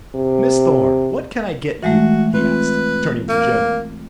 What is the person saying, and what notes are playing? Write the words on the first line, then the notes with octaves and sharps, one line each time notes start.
"Miss Thorn, what can I get you?" he asked, turning to Joe.
C3
E3 G#3 A3 F#4
C4 F4 B4
A#3